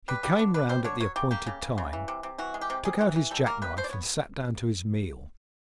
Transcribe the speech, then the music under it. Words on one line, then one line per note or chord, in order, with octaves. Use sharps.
He came round at the appointed time, took out his jackknife, and sat down to his meal.
G3 B4
G3
D3
D3 B4
G3 C5
D3 C#5
F#3 C#5
C#3 G4
A#3 G4
C#3
C#3
C#3
E3
C3
C3
E3 F#4
G#3
G4
C3
C3 G#4
E3
E3
G3 A4
A#3 A#4
G3 B4
B2 C5
D5
C#5
B3